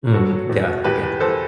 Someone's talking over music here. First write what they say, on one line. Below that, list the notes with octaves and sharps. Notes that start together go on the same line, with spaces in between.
Mm, yeah, I get that.
F#3 F#4 A4
F#3
E2
B2
E2 G4 B4
E2
E2 A4 C5